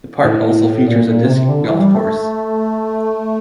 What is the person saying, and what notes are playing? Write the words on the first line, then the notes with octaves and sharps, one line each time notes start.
The park also features a disc golf course.
A2
A#2
A#2
C3
D3
E3
G3
A3